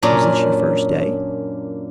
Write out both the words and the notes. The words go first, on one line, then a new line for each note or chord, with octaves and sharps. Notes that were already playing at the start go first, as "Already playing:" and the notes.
Is this your first day?'
F#2 A#2 C#4 D4 A#4